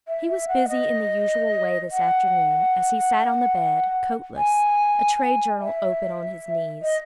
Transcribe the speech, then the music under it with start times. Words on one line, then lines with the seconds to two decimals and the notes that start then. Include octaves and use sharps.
He was busy in the usual way this afternoon, as he sat on the bed, coatless, a trade journal open on his knees.
0.08 E5
0.28 E5
0.48 F#5
0.69 D#5
1.92 F#5
4.37 G#5
5.60 E5
6.82 D#5